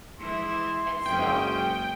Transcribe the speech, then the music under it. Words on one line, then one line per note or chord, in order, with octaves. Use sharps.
And so
E3 G#3 E4 C6
F#1 F#2 G#3 C#4 G5